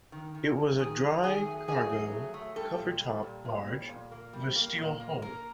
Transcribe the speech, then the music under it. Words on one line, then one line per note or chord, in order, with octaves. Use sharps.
It was a dry cargo cover-top barge with a steel hull.
D#3
D#3
F#3
D#3 G#4
F#3
D#3 G#4
A3
A3 G#4
F#3
A3
A3
G3 A4
A#2
G3
A#2
A#2
G3
A#2
A#3
G3
A#3
A#2
A#3
A#3 A#4